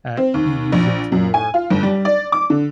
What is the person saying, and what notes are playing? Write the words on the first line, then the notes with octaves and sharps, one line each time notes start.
uh, you use it for
C4
D#2
A#1
F#2
G#5
F4
G1
G3
D5
D6
D3